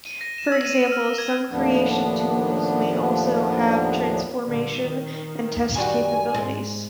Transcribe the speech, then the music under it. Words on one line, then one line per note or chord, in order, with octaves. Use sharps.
For example, some creation tools may also have transformation and test capabilities.
D#7
A#6
E7
E6
D#7
F6
G#6
D#2 A2 F3 B3 D4
A#2 D3 G3
D#3
F#2 G3 F#4 G#5
G#2 G#3